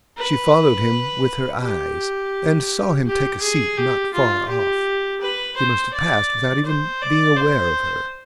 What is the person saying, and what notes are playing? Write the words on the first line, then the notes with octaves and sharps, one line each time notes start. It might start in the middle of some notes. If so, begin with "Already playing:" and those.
She followed him with her eyes, and saw him take a seat not far off he must have passed without even being aware of her.
B4
G4
G4
G#4
G4
F4
G4
B4
C5
D5
C5
D5
C5